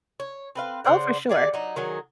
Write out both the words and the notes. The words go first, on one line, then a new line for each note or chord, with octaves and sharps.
Oh, for sure.
C#5
C4 B4 F5
C#3 C5 D5 F#5
G4 G#4 D5
F#3 D#4
D#3 F#3 G#4